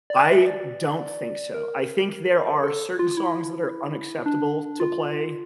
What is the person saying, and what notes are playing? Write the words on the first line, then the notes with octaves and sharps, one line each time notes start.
I don't think so. I think there are certain songs that are unacceptable to play,
D5
E5
D5
A#4
A4
F4
E4
D4
F4